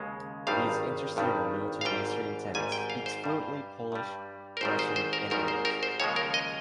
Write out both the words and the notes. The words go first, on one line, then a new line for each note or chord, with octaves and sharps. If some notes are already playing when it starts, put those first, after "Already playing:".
He is interested in military history and tennis; speaks fluently Polish, Russian and English.
Already playing: D#2 C#3 G#3
G#1 G2 D#3 G3 F5
G#1 G2 D#3 G3
F5
G#1 G#2 G3 G5
G#1 G#2 G3 G#5
G5
F5
C5
G2 G3
G2 G3
A#4
G#1 G#2 D#3 G3 C5
C5
C5
A#4
G#1 G#2 D#3 G3 A#4
C5
A#4
C5
D#2 C#3 F3 G#3 C#5
A#4
D#5